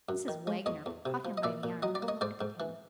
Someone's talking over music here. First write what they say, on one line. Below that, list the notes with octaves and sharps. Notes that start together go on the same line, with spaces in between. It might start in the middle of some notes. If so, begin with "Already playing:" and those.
Mrs. Wagner caught him by the arm, and looked at him.
F#2
D#3
G#3
E2 C#5 D#5
E2
C3
F3
D#5
A#2 D5 E5
A#2
F#3 D#5
D5
A#3
C#5 D#5
G#2 C5 D5
G#2
E3